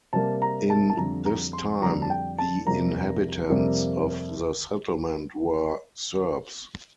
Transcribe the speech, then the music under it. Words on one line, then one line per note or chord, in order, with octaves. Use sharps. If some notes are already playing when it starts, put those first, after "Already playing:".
In this time, the inhabitants of the settlement were Serbs.
C3 G3 A#3 A5
A#5
A5
A5
F2 D3 G3 A#5
A#5
C6
F2 D3 G3 A#5
A5
G5
A5
F2 C3 G3 A#3 A#5
F2 C3 G3 A#3